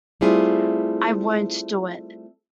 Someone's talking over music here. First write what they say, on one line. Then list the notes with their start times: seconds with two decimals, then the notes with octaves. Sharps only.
I won't do it.
0.21 G3 A3 C4 E4 F4 G#4